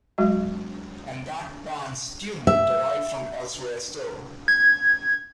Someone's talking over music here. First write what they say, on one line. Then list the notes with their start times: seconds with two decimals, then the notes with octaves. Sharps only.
And that band's tunes derive from elsewhere still.
0.18 F#3 G#3 F#4 D#5
2.47 E5
4.48 G#6